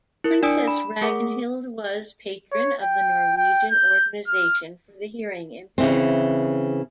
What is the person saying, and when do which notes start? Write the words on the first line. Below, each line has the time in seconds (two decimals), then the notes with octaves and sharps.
Princess Ragnhild was patron of the Norwegian Organisation for the Hearing Impaired.
0.24 E4 A#4
0.43 D4 D5 G#5 D#6 E6 D7
0.68 B5
1.01 A3 G#4 A#4 F#5 D6
2.52 C#5
2.83 G5
3.37 G5
3.71 G6
4.28 F6
5.78 C#3 E3 C4